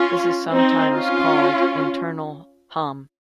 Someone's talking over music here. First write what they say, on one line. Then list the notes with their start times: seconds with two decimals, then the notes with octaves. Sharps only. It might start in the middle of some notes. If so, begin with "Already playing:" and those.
This is sometimes called internal Hom.
Already playing: C#4 F4
0.51 C4 D#4
0.94 C#4 F4